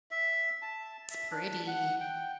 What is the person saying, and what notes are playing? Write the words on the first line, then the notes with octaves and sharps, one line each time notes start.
It's pretty.
E5
A5
E5
D4
F#5
G5